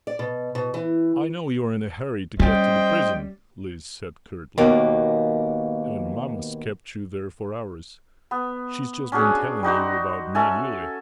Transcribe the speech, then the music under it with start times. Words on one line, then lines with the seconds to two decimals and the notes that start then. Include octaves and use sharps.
"I know you are in a hurry to get to the prison," Lise said curtly, "and mamma's kept you there for hours; she's just been telling you about me and Yulia."
0.07 D5
0.19 B2
0.55 B2
0.74 E3
2.40 G3 C#4 C5 D#5 G5
4.58 D#2 B2 A#3
8.31 B3
9.12 C#4 D4 F#4 G#4
9.63 G3 D#4 F#4 C5
10.35 C#4 A4 E5 G#5